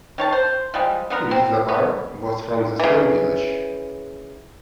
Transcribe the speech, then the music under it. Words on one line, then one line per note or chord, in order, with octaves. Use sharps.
Louis Zabar was from the same village.
D#3 C#5 A5
C5
F3 G3 G#3
D3 B3 A#4
C4
B3
C#3 E3